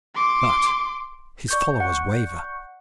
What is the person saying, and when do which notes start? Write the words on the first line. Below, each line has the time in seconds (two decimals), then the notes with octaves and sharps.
But his followers waver.
0.15 C6 D6
1.48 D5 C#6 G6
1.80 F#5